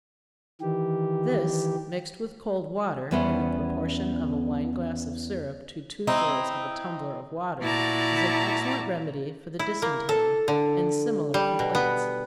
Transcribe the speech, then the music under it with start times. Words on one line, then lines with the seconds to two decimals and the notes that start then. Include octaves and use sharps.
This, mixed with cold water, in the proportion of a wine glass of syrup to two-thirds of a tumbler of water, is an excellent remedy for the dysentery, and similar complaints.
0.61 D#3 E3 G4
3.11 E2 G3 B3 C#4 C5 E5
6.07 C4 D#4 E4
7.62 A#2 E4 F#4 D5 A5 A#5
9.59 E4
9.82 A#3
10.09 A4
10.48 D3
11.34 G3
11.59 B2
11.75 B3